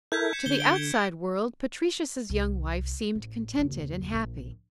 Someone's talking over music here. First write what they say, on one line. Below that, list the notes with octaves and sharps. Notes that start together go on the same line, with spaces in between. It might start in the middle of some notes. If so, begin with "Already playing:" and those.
To the outside world Patricius's young wife seemed contented and happy.
E4 A4 A#4 G6 G#6 B6
C#7 E7
D3 G7
D7 G7
G#6
C2
A1
F#1 D#2
A#1